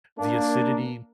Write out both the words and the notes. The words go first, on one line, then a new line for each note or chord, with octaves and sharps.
the acidity
A#3 D4